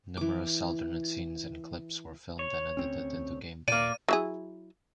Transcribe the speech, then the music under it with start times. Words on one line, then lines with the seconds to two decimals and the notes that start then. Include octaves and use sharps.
Numerous alternate scenes and clips were filmed and edited into game play.
0.17 E3 D6
2.39 C#5
2.77 D2 C4 C#4
3.68 A#2 A#3 D5 D#7
4.08 F#3 E4 G#4